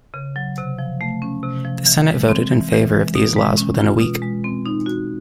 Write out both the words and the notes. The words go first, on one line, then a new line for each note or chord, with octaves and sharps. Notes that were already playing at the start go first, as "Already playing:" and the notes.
The Senate voted in favour of these laws within a week.
C#3
F#3
C3
F3
A3
C#4
C3
F3
E3
G#3
C4
E3
E3
G#3
B2
G#3
C#4
F4
B2
G#3
C4
D#4
F#4